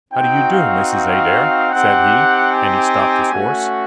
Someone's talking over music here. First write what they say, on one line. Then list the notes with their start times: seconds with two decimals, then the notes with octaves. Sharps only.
"How do you do, Mrs. Adair?" said he, and he stopped his horse.
0.12 C4 D#4 F#4 G5
0.52 F5
0.92 F5
1.72 C4 D#4 G4 F#5
2.52 G#5
3.32 A3 C#4 F#4